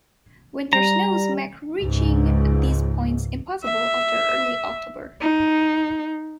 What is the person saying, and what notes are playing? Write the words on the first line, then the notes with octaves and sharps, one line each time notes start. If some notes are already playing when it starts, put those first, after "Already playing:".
Winter snows make reaching these points impossible after early October.
G3 A#5
C#2 G#2
E5
D#4